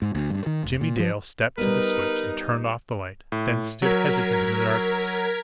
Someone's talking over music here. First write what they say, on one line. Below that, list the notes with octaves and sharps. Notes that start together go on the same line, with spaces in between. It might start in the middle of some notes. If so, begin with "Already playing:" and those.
Jimmie Dale stepped to the switch and turned off the light; then stood hesitant in the darkness.
G#2
D2
G2
D#3
F1
A#2
F3
G3 B3 D#4 A#4 B4
A2
F#3 A#4 G#6 B6